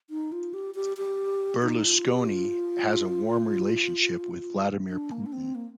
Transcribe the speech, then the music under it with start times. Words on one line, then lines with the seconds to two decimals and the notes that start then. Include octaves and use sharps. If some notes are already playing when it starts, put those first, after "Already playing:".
Berlusconi has a warm relationship with Vladimir Putin.
0.10 D#4
0.32 F4
0.54 G4
0.75 G4
0.97 G4
1.63 D#4
1.85 F4
2.07 G4
2.27 F4
4.89 D4
5.11 A#3
5.26 D4
5.33 C4
5.55 A#3